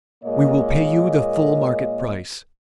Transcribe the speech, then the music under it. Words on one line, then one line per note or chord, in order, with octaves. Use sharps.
"We will pay you the full market price."
A#2 G#3 A#3 C#5 D#5